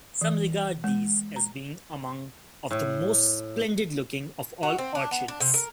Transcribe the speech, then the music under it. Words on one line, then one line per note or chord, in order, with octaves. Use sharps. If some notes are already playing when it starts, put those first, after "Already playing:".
Some regard these as being among of the most splendid looking of all orchids.
E3
G#3
A#5
A2
F#4
C4
D4
B3
D4
C3
A#4